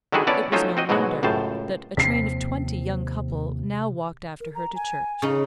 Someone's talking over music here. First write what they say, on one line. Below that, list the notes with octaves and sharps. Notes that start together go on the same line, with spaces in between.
It was no wonder that a train of twenty young couple now walked after her to church.
D3 D#3 G3 E4 F#4 G#4
B3 C#4 E4 C#5 D5 A5
F#3 A3 C#4 D#4 F4 C5
C4 F#4 D#5
G#2 B2 E3 F#3 G#3 F#4
C#2 F#2 A2 C5 A5
D#2 C3 F3 C4 B6 C7
A#4
A#5
G#5
C#3 D#4